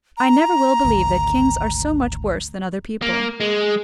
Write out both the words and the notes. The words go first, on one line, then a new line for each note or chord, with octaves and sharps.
I never will believe that kings are so much worse than other people.
A#5
G#1 D2
A#3
G#3